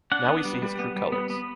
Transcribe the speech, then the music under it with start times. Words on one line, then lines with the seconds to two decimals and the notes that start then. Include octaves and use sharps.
Now we see his true colors.
0.12 D4 F#5
0.28 B3
0.45 G3
0.62 G3
0.79 B3
0.96 G3
1.12 B3
1.30 B3